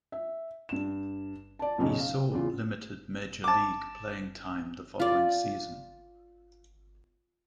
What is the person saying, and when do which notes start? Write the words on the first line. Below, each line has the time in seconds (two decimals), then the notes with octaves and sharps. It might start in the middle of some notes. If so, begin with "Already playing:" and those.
He saw limited major league playing time the following season.
0.12 E5
0.69 G2 E7
1.59 D5 A5
1.78 B1 F#2 C#3 D#4
2.00 F5
2.32 E2 C#3 F4
3.44 A5 D6
5.00 F4 D5